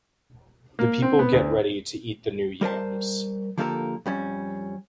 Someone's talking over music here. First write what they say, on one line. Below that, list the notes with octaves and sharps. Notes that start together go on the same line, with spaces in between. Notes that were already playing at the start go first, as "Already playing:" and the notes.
The people get ready to eat the new yams.
A#3
C4
B3
D2
G3 A#4 C5 A5
D3 F3 A#3 G4 A4 A#4
F2 G3 C#4